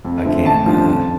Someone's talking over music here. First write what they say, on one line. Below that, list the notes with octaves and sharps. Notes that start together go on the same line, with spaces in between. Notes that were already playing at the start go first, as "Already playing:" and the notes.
I can't, uh,
F2
D3 F3 C4 E5
A1 A5
G2 D3 F3
F2